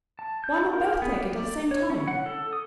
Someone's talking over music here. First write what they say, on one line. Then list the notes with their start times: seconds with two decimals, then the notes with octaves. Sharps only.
"Why not both take it at the same time?"
0.19 A5
0.44 G6
0.73 A#4
1.02 B3
1.17 G4
1.40 D5
1.71 C#5
1.90 C#4
2.08 F#5
2.26 A4
2.53 D#6